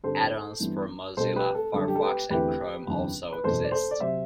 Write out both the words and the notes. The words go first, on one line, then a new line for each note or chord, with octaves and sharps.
Add-ons for Mozilla Firefox and Chrome also exist.
G2 D3 G3 C4 A4 C5
G2 E3 G3 B3 D4
C2 B2 G3 D4 A4 C5
G4 B4
A4
F#2 D3 G3 D4 A4
G4
A4
G4 B4
E2 D3 A3 C4 E4 G4 B4
F#1 E2 D3 F#3 C4
B4
F#1 E2 B2 A4 C5
D5
A4 C5
D5
C3 F#3 C4 C5 E5